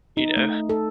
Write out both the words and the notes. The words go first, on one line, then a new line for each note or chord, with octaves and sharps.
you know?
D#4
A3
A4